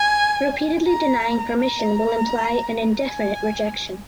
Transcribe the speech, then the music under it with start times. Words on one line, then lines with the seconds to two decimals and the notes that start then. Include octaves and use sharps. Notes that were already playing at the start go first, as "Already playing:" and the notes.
Repeatedly denying permission will imply an indefinite rejection.
Already playing: G#5
0.87 A#5
1.61 A#5
3.07 G#5